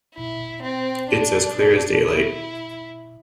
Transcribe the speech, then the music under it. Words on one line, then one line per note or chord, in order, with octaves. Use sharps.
It’s as clear as daylight.
E4
C4
D4
E4